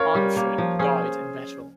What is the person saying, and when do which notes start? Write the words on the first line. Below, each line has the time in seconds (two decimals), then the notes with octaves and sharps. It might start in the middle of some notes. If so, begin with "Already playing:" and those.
Arnefrit died in battle.
Already playing: C#4 F4 A#4 C#5
0.15 G3
0.36 A#3
0.58 F3
0.79 C#4 G#4 C5